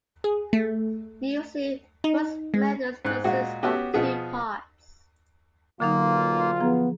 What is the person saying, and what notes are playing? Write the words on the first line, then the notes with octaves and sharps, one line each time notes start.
Usually those methods consist of two parts.
G#4
A3
D#4
G#3
G#2 F#6
A#2 G#3 F#4
B3 C#4 F#4 G4
B2 F3 B3 G#4
B1 D3 F#3 A#3 D#4 F4
F3 B3 G#4 A#5